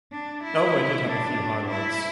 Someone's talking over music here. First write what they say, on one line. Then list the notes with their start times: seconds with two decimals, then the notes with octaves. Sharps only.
Elway did have a few highlights.
0.12 D4
0.44 E4
1.07 D4
1.69 E4